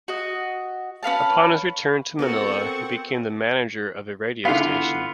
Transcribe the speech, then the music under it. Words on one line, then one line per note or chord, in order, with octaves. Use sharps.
Upon his return to Manila, he became the manager of a radio station.
F#4 D#5
C#4 B4 F5 A5
B3 C4 F#4 A4 A#4 F#5 C#6
D3 B3 E4 F4 F5